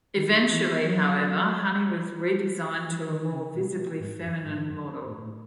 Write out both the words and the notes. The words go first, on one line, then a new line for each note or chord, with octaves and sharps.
Eventually, however, Honey was redesigned to a more visibly feminine model.
D#3
E3
F#3
E3
D#3
C#3
B2
G#2
F#2
G#2
F#2
A2
A2